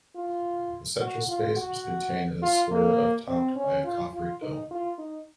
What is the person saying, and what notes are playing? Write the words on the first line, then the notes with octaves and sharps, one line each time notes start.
The central space was contained in a square of topped by a coffered dome.
F4
F#4
F4
F#4
F4
A#3
C4
C#4
F4
F4
D#4
F4
D#4